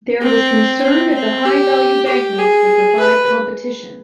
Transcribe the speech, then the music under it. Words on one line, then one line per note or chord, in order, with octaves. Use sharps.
There was concern that the high value banknotes would provide competition.
C4
C4
C4
G4
G4
G#4
B4